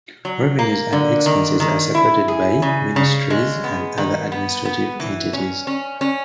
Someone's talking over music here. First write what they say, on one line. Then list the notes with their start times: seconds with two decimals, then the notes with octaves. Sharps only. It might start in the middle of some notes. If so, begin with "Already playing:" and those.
Revenues and expenses are separated by ministries and other administrative entities.
0.25 F#3
0.59 A#3
0.93 D3
1.26 D#3
1.60 D#3
1.95 E4
2.28 G#4
2.62 C#3
2.96 C#3
3.30 G#3
3.64 B3
3.98 D#3
4.32 B3
4.65 B3
5.00 E3
5.33 C#4
5.67 C#4
6.01 C#4